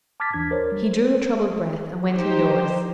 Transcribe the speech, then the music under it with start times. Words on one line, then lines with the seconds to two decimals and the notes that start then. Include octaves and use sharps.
He drew a troubled breath, and went in-doors.
0.20 A5 D6 F6 G#6 A6 B6
0.33 D#2 E3 D4 G#6
0.51 A#4 C5 C#5
0.72 G3
2.12 F3 D#4 G4 C5